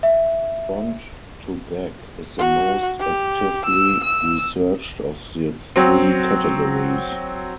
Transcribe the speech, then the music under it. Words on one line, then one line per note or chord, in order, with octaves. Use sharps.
Front-to-Back is the most actively researched of the three categories.
E5
F#4
G4
E6
E6
F#3 C4